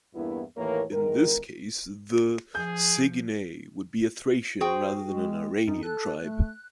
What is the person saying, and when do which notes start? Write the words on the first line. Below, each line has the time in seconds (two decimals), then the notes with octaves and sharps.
In this case the Sigynnae would be a Thracian rather than an Iranian tribe.
0.15 E2 G2 A#3 B3 E4
0.57 D#2 A2 E3 A#3 A#4 C#5
0.92 E2 D#3 G#3 A#4
2.55 F3 G#4 G6
4.61 F#4 G#4 C5 G5
5.07 G#3
5.67 F#2 D#4
5.83 A4 F#6
6.21 A3